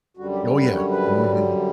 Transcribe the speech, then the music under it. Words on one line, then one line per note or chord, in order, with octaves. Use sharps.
Oh, yeah. Mhm.
F#2 D3 G3 F#4
G4
B4
C#5
B4